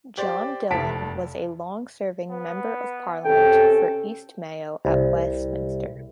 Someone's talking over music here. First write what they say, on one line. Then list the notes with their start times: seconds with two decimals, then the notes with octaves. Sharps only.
John Dillon was a long-serving Member of Parliament for East Mayo at Westminster.
0.17 G4 C5 D5
0.71 F1 A5 B6 D7
2.30 B3
3.25 C3 C#4 A4 G5
4.85 C2